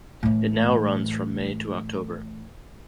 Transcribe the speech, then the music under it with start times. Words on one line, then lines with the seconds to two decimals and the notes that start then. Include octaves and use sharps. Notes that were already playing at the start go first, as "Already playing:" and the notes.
It now runs from May to October.
0.23 A2 E3